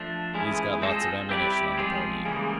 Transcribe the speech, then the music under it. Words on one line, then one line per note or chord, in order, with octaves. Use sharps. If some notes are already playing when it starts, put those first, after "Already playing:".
He's got lots of ammunition on the pony.
Already playing: F3 A3 D4
E3 G#3 A3 C#4 E4
C4 F4 A4 C5 D#5
G3 C4 E4 G4 B4 D5
F3 G#3 C4 F4 G#4
C#3 E3 G3 G#3 A#3